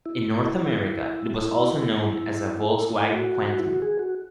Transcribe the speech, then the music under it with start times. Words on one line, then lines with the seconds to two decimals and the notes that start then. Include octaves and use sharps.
In North America, it was also known as the Volkswagen Quantum.
0.06 E4
1.42 E4
2.79 E4
3.13 F#4
3.48 F#4
3.58 E4
3.64 F#4
3.82 G#4
3.99 F#4